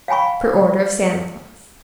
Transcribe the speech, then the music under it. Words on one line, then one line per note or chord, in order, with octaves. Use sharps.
Per order of Santa Claus.
F5 G5 G#5 B5 C#6